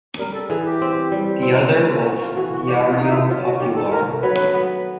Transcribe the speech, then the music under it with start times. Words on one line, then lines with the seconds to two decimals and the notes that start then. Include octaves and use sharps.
The other was "Diário Popular".
0.19 G3 A#4
0.34 A4
0.49 E3 G#4
0.66 G4
0.82 C4
1.12 G3
1.42 C4
1.75 A3
2.05 A3 F#4
2.21 F4
2.36 E3 F#4
2.52 F#4
2.68 G3 G4
2.88 F4
2.99 D#3 D#4
3.09 E4
3.29 F#3 F4
3.45 F#4
3.60 D#3 G4
3.76 A4
3.91 A3 A#4
4.22 F#3 B4
4.54 B3